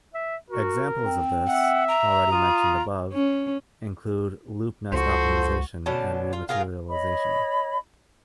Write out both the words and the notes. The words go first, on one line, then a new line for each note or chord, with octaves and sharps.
Examples of this, already mentioned above, include loop nest optimization and rematerialization.
E5
F#4 A#4
C4
E5 F#5
A#5
F4 D#6
C#4
C#2 F3 F#4 A4 C5
B2 D3 C#4 A5
F4
F4 G#4 A#4 F5
C#5 D#5 B5